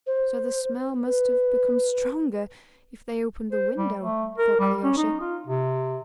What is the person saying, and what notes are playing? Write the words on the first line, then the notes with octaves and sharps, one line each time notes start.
"So the smell must have become stronger, if they opened the window," thought Alyosha.
C5
B4
C5
G3
A3
A#4
G3
C#4
D#4
F4
C3